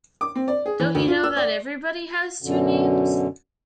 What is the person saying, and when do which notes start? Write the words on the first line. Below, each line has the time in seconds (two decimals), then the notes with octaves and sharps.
Don't you know that everybody has two names?
0.21 D6
0.36 C4
0.48 D5
0.66 G#4
0.80 E3
0.95 D2
1.08 F4
1.24 E6
1.37 D5
2.43 F#2 B2 D3